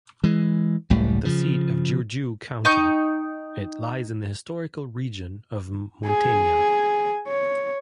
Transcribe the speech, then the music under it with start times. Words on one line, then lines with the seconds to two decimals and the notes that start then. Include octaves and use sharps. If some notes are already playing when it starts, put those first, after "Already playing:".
The seat of Giurgiu County, it lies in the historical region of Muntenia.
0.24 E3 G#3
0.90 F#1 C#2 A2 G3
1.25 C#3 F3
2.65 D#4 G5 C#6 G6
6.06 G#4 G#5
7.28 C#5